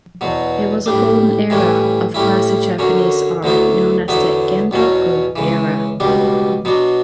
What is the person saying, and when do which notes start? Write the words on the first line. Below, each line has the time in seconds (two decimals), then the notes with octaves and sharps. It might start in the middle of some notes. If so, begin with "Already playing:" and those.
It was a golden era of classic Japanese art, known as the "Genroku era".
0.21 E2 B2 F#3
0.86 A2 G3 D4
1.50 A2 E3 G3 C#4
2.14 A2 G3 C#4 E4
2.79 F#2 D3 F#3 C#4
3.43 D2 D3 F#3 B3 E4
4.08 E2 D3 F#3 B3 E4
4.71 E2 B2 F#3 C#4
5.36 C#2 C#3 E3
6.00 C#2 B2 G3 D4
6.65 B2 F#3 B3 D4